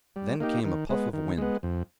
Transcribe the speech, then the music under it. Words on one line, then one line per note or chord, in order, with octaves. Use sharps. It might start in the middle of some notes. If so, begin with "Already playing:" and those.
Then came a puff of wind.
G3
A#3 D#4 G4
D#3
G#3 B3
D#3
G#3 B3
F2